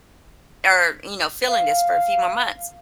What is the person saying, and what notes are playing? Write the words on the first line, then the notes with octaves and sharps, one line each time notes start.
or you know feeling this for a few more months,"
F5